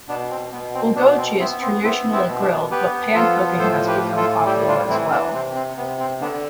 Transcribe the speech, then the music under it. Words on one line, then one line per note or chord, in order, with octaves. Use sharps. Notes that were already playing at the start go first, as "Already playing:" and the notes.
"Bulgogi" is traditionally grilled, but pan-cooking has become popular as well.
B2 B3 D4
C4
B2 B3
C4
B2 B3 D4
C4
B3 C4 E4
C4
B3 C4 E4
C4 E4
B2
B3 D4
B3 G4 B4
F3 F4 A4
A2 A4 C5
G4 B4
A2
F4 A4
G3 E4 G4
D4 F4
E3 C4 E4
B3 D4
C3 C4
C4
C3 B3
C4
D3 B3 D4